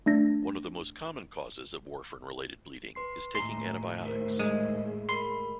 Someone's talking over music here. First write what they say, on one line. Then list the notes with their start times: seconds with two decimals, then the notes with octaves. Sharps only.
One of the most common causes of warfarin-related bleeding is taking antibiotics.
0.06 A3 D4 A#6
2.95 B4 C6 C7
3.35 D#2 A2 G#5 A#5 C6
4.05 A#4 C5
4.39 G#3
5.09 A#4 B5 C6